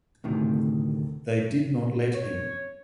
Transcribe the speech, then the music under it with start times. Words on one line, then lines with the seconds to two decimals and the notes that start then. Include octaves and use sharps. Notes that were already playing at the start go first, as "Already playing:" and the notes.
They did not let him.
0.24 D2 A2 C3 D#3
2.15 C#5